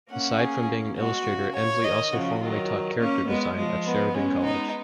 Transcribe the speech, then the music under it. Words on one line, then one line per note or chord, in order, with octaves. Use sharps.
Aside from being an illustrator, Emslie also formerly taught character design at Sheridan College.
A#3 C#4 F#5
G#4
G#3 B3 F#4
C#3
C#5
D#3 D#5
C#3 F3 F#4
D#3 F#3 F4
A#3 C#4
G#3 B3
F3 G#3
B3
G#3 B3 C#4
D#4